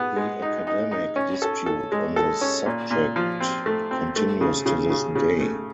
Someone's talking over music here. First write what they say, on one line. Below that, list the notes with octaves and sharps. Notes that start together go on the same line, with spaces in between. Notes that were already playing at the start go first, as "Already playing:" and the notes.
The academic dispute on the subject continues to this day.
Already playing: B3 G#4
G#3
D#4
D#4
D#4
C#4
A4
A4
G#3
A4
C#4
A#2
A#2
F3
C4
A3
C4
A3
C#3
C#3
C#3
C#3
A3